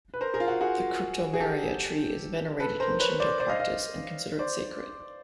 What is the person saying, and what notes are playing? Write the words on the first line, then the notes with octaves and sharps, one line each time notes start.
The Cryptomeria tree is venerated in Shinto practice, and considered sacred.
B4
A#4 C5
G#4 A#4
F4
F#4
F#4 G#4
G#4
G4 A4
A4 B4
A#4 C5
B4 C#5
C5 D5
C5 D5
D#5 F5
D#5 F5
C5 D5